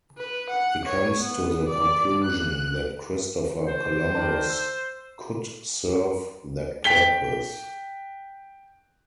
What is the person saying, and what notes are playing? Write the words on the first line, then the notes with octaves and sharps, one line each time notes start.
He comes to the conclusion that Christopher Columbus could serve that purpose.
B4
F#5
C#5
B3
D5
F#6
C5
D#3 D5 A5
E6
G5 B6 G7